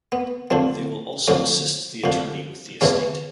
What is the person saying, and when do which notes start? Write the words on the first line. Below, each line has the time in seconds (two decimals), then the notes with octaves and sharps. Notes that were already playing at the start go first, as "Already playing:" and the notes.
They will also assist the attorney with the estate.
0.12 B3
0.51 F2 D3 F3 C4
1.28 F2 D3 F3 C#4
2.04 F2 D3 F3
2.81 E2 C#3 E3 C#4